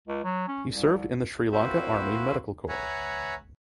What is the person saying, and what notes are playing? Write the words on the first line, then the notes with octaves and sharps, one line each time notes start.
He served in the Sri Lanka Army Medical Corps.
C#2
F#3
C#4
C2
A#3 C4 E4 F#4 B4 C5
B4 C#5 E5 F#5 G#5 A#5